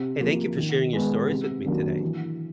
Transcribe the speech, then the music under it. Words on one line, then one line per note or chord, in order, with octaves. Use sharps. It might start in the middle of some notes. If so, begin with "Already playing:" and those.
Hey, thank you for sharing your stories with me today.
Already playing: C3
F3 A#3
D#3
G#3 B3
C3
D#3 F#3 A#3 D4
E3